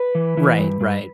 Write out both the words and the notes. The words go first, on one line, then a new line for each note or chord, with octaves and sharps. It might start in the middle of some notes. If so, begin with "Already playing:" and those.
Right, right.
Already playing: B4
E3
E3
G2
G2